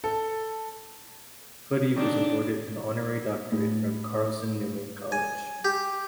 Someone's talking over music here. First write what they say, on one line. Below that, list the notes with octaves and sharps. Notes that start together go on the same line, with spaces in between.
Foote was awarded an honorary doctorate from Carson-Newman College.
A4
A#2 D#3 D4
A2
G#5
G4